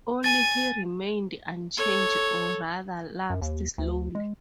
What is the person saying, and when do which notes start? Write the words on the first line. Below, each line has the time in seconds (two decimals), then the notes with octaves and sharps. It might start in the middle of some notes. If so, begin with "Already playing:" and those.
Only he remained unchanged, or rather, lapsed slowly.
0.24 G#5 A6 D#7
1.77 A4 C#5
3.30 F#2
3.42 D#2
3.78 D2
4.15 G#3